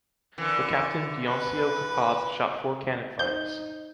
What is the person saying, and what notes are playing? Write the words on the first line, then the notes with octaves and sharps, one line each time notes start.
The captain Dionisio Capaz shot four cannon fires.
D3 E3 A#4
B4 B5
D#4 C5 G6